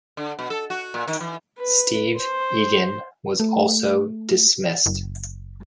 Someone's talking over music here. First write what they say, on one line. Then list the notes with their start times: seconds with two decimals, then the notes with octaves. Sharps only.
Steve Egan was also dismissed.
0.17 D3
0.39 B2
0.50 A4
0.70 F#4
0.94 A#2
1.08 D#3
1.21 E3
1.58 B4
2.17 C5
3.40 A3
4.86 F#1